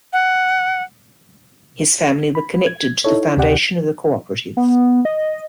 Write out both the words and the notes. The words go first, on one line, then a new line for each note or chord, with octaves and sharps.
His family were connected to the foundation of the co-operative.
F#5
B5
G#6
D#4 E4 A4 C#5
D2 C3 G4 D5 F#5 G5
B3
D#5